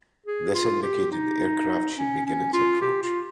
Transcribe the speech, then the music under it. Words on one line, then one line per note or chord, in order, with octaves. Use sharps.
This indicated the aircraft should begin its approach.
G#4
F4
G4
D#4
C#4
C#4
F4
G4
F4